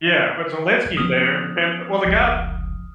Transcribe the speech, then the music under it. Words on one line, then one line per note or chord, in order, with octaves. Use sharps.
Yeah. But Zelenski's there. And well the guy
F3 B3 C#4 D#6 F6
F1 C#2 F3